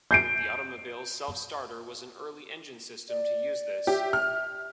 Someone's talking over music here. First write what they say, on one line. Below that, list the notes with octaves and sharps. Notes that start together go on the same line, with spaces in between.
The automobile self starter was an early engine system to use this.
G6 C7 D7
D5
G4 E5
F6